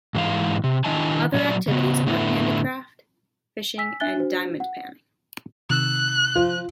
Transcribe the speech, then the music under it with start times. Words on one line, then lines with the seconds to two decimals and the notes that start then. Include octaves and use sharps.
Other activities are handicraft, fishing, and diamond panning.
0.15 G#2 E3 F5
0.64 C3
0.84 D#3 D4 E4 D#5 G#5 A5
1.34 A#2 F#3 A#4 D5
1.68 C#3 B3
2.06 A2 D3 B3 E4
3.78 G#5 E6 B6
4.00 D4 E5 G#5 F#6 A6 G7
4.16 D4 F#4 C5
4.60 F#5
5.70 C3 D#3 E6 F#6
6.36 F3 F4